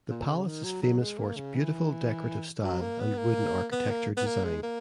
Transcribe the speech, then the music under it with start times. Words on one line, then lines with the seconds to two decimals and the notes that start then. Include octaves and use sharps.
The palace is famous for its beautiful decorative style and wooden architecture design.
0.10 A#2
0.28 C#3
0.46 D#3
0.64 F#3
0.82 F#3
1.00 G#3
1.19 A#3
1.37 C#3
1.55 E3
2.63 F#3
2.81 A#3
3.00 B3
3.18 A#3
3.72 B3
3.90 A#3
4.17 B3
4.26 A#3
4.44 G#3
4.63 A#3